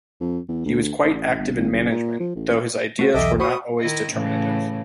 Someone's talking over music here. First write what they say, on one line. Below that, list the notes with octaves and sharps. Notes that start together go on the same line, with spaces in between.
He was quite active in management, though his ideas were not always determinative.
F2
E2
D2
A1
G1
G#1
F#1
A#2
F3
A1
A3 F#4 C5
B1 E2 A4 D#5 E5 G5 D6
F#4 C5 B5 C#6 D#6
D#3 E4 D#5
A2 C#3 E3